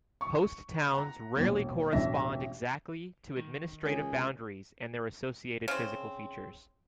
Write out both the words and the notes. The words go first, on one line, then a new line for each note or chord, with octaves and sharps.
Post towns rarely correspond exactly to administrative boundaries and their associated physical features.
C#6
F#5 A#5
E1 A#1
E1 A1 D4 E5 A#6
D#3
C#2 G#4 A#4 C#5
C#3 C4